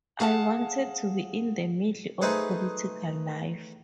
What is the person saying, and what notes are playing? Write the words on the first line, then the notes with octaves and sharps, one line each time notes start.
I wanted to be in the middle of political life.
G#4 F5 F#5 A5
A3 D#4 G#4 B4 C5